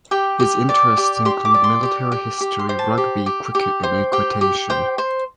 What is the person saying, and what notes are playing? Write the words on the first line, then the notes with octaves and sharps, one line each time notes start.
His interests include military history, rugby, cricket and equitation.
G4 G5
G4
D5
G4
G4 C6
D6
D5
C6
G4
G4
G4
C6
C5
A5
G4
G4
G4
C5
G4 G5
G4
C5 G5
C5